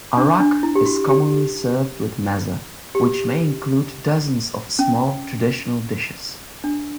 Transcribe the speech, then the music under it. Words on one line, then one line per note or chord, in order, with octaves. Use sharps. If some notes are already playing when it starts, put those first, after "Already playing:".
Arak is commonly served with mezza, which may include dozens of small traditional dishes.
D4
D4
E4
G4
F#4
G4
G4
C#4
D4